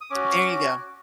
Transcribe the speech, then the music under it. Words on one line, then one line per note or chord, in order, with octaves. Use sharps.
There you go.
D#6
C#4 F#4 D6